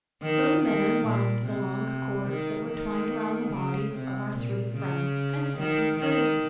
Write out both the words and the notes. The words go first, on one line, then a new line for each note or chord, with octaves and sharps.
So the men unwound the long cords that were twined around the bodies of our three friends, and set them free.
D#3
D#3
A#2
C3
D#3
D#3
C#3
C3
A#2
C#3
D#3
D#3